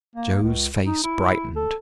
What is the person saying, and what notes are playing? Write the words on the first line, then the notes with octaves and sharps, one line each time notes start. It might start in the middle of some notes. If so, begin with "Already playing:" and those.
Joe's face brightened.
A#3
C#2
D#4
E4
A4